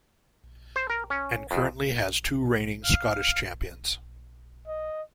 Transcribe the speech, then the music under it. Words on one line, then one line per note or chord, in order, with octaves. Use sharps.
And currently has two reigning Scottish champions.
C5
A#4
C#4
F2
F5
D#5